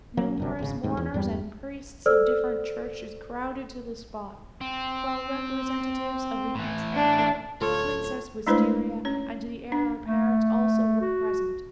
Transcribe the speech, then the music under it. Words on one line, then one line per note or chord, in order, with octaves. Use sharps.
Numerous mourners and priests of different churches crowded to the spot, while representatives of the ex-Emperor, Princess Wistaria, and the Heir-apparent also were present.
F#3 A#3
G1 F#2 C3
G#1 C#3
E1 D#2 G#2
E2
E2 G2 G3
A4 C5 D5 E6 F6
C4
A2 E3
D4
D1 F4 A4 C#5 D5
G#3 A3 D4 E4 B4 C5
C#4 C#5
D4
A3
F#4